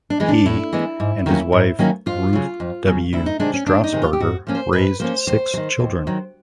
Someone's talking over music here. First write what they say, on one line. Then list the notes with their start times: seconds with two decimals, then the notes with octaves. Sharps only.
He and his wife, Ruth W. Strassburger, raised six children.
0.10 D4
0.20 E3 G#3 B3
0.28 D4
0.46 A2 E4
0.73 E3 G#3 B3
1.00 G#2
1.26 D#3 F#3 A#3 C#4
1.52 G#2
1.79 D#3 F#3 A#3 C#4
2.06 F2 F4
2.33 C#3 F#3
2.60 F2
2.86 C#3 F#3
3.13 D2 E4
3.26 D#4
3.40 C3 D#3 G#3 D4
3.53 C#4
3.66 D2 D4
3.84 D#4
3.92 C3 D#3 G#3
4.02 F4
4.13 G4
4.20 G#2 F#4
4.47 F3 A#3 C#4
4.55 C5
4.73 G#2 B4
5.00 F3 A#3 C#4 C5
5.27 D#2 C5
5.54 F#3
5.57 D#3
5.80 D#2
6.07 D#3 F#3